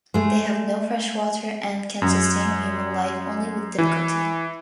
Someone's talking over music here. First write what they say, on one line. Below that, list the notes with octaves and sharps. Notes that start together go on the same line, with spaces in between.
They have no fresh water and can sustain human life only with difficulty.
G#3 A3
F#2
E3